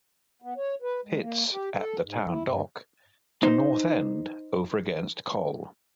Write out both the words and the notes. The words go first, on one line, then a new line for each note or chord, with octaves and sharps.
Pitts at the Town Dock to North End over against Col.
B3
C#5
B4
G#3
A#3
G4
A4
G#2
E4
G2
D#4 C5